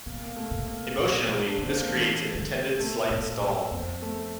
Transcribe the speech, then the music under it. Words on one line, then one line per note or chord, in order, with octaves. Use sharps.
Emotionally, this creates an intended slight stall.
C3 A#3
A#3
A3
C3
A#3
A#2
D3
D4
D3 C4
A#3
E3 A3
D3
C3 A3
A#2 A#3
A2
F2 C4
A3